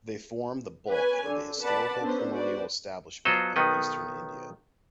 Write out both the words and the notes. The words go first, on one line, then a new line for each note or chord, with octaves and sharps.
They form the bulk of the historical colonial establishment of eastern India.
B4 C#5 G#5
D3
B4 D5 F#5 A5 B5
D3 B3 C#4 B4 C5
F#4 B4 C5 D5
F#3 B3 F4 A4 C5 D#5
B1 D#3 B3 D#5